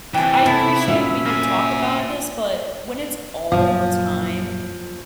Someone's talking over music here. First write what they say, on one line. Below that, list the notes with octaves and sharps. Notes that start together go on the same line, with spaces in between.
I appreciate we could talk about this, but when it's all the time,
C3 E3 G5 G#5
C3 B3 E4 A4
A#2 C#4 F#4 E5
A#3 G#5
F#2 A#2 F3